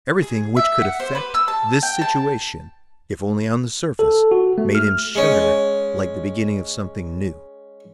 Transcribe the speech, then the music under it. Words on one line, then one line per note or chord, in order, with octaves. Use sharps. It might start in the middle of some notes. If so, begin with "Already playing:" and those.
Everything which could affect this situation, if only on the surface, made him shudder like the beginning of something new.
G#4
E5
F#5
C5
B4
E6
A5
G5
A5
A4
F#4
A3
F6
G#3 C#4